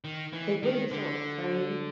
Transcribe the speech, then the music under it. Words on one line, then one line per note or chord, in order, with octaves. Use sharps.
they wouldn't be so afraid
D#3
E3
D#3
D3